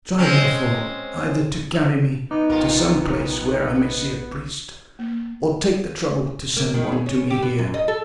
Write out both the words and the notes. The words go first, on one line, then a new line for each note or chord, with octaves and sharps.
Try, therefore, either to carry me to some place where I may see a priest or take the trouble to send one to me here.
G#3 C4 C#4
B3 D#4 D6
A#1 G2 F4 A#4
A#3
A#3
D#3
G#3
C#4
G4
B3
F#2
D#5
A4